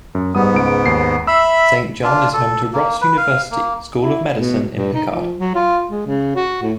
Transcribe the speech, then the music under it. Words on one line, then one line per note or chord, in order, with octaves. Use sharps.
Saint John is home to Ross University School of Medicine in Picard.
F#2
G#2 G3 B3 D#6
C#2 D7
D#2 C7
E5 B5 E6
D4 F4
A4
A#3
B4
F5
A#3
E4
B2
G2
D#4
F3
F#3
F4
G#3
C#3
F#4
A2